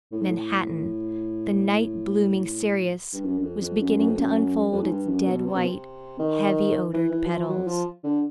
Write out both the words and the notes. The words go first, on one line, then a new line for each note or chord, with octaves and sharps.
Manhattan, the night-blooming cereus, was beginning to unfold its dead-white, heavy-odoured petals.
A2
G#2
A2
G2
F#2
F#2
F2
F2
F#2
F#2
F2
F#2
F2
G#2
G2
F#2
B2
C3
B2
C3
D#3
E3
E3
F#3
F3
F#3
F3
D3